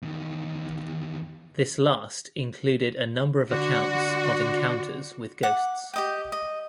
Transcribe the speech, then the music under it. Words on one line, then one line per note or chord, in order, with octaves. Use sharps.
This last included a number of accounts of encounters with ghosts.
E2 D#3
D3 F#4
F#5 D6
G4 D#5 G5
D#5